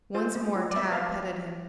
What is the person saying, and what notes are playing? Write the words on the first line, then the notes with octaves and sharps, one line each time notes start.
Once more Tad petted him.
F4 C5
B3
F4
D5
B3 E5
F5
B3